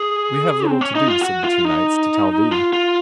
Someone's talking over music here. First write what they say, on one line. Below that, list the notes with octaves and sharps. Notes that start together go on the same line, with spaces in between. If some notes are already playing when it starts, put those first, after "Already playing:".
We have little to do, said the two knights, to tell thee.
Already playing: G#4
C4
C#4
D#4
F4
F#4
F4
D#4
F4
F4